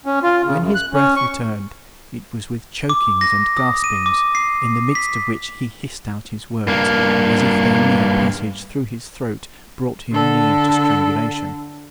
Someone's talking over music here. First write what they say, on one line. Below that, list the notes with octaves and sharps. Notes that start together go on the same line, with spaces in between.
When his breath returned, it was with chokings and gaspings, in the midst of which he hissed out his words, as if their mere passage through his throat brought him near to strangulation.
C#4
F4
C#3
F#2
F#6
C#4
C#6
D6
A#6
D#6
D#7
D6
C7
B6
G2 A#3
D3 A4